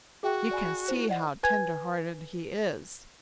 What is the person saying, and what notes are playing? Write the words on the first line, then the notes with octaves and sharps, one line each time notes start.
You can see how tender-hearted he is.
F#4 G#4 E5 G5
D5 G#5 B5
E4 F4 C5
D5 D#5 F#5
B4 G#5 G#6